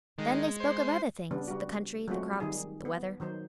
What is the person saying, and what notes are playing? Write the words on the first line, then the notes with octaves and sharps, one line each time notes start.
Then they spoke of other things: the country, the crops, the weather.
D#3 G#3
C5
C#3 G3 B3 D4
G3 F#4
F#3 G#3 A3 C4 F4 F#4
D#3 G3 D#4 G#4
B3
D#3 F#3 D#4 C5